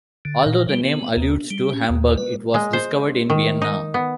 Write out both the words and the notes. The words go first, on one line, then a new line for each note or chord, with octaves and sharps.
Although the name alludes to Hamburg it was discovered in Vienna.
D3
A#2
G3
B3
D#2
G3
C#4
D#2
B4
G#3
C5
D#3
D#4
B3